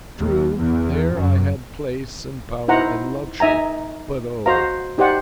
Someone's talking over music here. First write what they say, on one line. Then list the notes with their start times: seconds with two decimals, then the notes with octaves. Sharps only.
True, there I had place and power and luxury, but oh!
0.19 D#2
0.59 E2
1.12 F#2
2.68 D#4 E4 C5 F#5 A#5
3.40 D#4 E5 G#5 A#5
4.46 F#4 C5 D#5 F5 A#5
4.98 D#4 G4 C5 D5 F#5